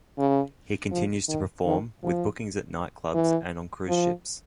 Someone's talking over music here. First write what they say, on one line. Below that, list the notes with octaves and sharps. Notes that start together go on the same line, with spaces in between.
He continues to perform, with bookings at night clubs and on cruise ships.
C#3
F3
D#3
D#3
F3
E3
F3